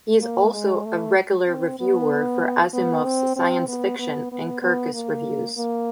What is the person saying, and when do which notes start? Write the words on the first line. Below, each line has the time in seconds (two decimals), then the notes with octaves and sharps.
He is also a regular reviewer for Asimov's Science Fiction and Kirkus Reviews.
0.21 A#3
0.53 G#3
0.85 A3
1.48 C4
1.79 B3
2.73 B3
3.04 C4
3.36 C4
3.68 B3
3.99 B3
4.32 B3
4.62 B3
4.94 A#3
5.57 A#3